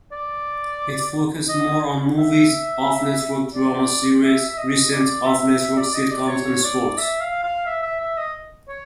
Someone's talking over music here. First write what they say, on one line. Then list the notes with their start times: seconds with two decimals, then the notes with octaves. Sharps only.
It focused more on movies, off-network drama series, recent off-network sitcoms and sports.
0.12 D5
1.49 D#5
2.18 E5
3.54 D5
4.23 E5
4.49 E5
4.57 D#5
4.92 D5
5.26 E5
5.60 E5
5.77 D5
5.94 D#5
6.11 D5
6.28 C#5
6.64 D5
6.97 E5
7.20 F5
7.43 F5
7.66 E5
7.82 E5
8.00 E5
8.17 D#5
8.68 C#5